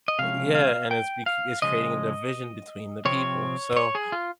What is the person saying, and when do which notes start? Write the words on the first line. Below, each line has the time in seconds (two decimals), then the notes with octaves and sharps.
U yeah, and it's bec it's creating a division between the people, so,
0.08 D#5
0.19 C3 F3 G#3 C#4 F5
0.55 F5
0.91 G5
1.26 F5
1.62 C#3 F3 G#3 D#5
3.05 C3 F3 C4 C#5
3.77 C#5
3.95 G#4
4.12 F4